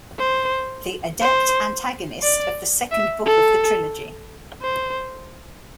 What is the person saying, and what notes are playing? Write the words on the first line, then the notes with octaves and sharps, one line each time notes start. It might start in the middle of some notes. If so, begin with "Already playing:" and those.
The Adept antagonist of the second book of the trilogy.
C5
C5
D5
E5
A4
C5